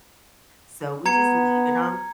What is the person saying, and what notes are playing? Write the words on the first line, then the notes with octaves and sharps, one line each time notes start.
So, we just leave it on
B3 A#5 G#6 C#7